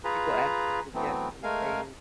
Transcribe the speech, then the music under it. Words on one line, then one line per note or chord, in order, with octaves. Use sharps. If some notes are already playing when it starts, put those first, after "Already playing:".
people ask for suggestions, they
F4 G#4 B4 A#5
E3 F#3 A3 B3 C4
G#3 A3 A#4 F5 G#5